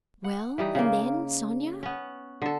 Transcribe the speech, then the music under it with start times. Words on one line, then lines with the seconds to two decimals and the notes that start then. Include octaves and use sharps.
"Well, and then, Sonya?..."
0.24 F#5
0.58 E3 G3 D#4
0.75 C#3 A#3
1.83 B3 C#4
2.42 D3 A4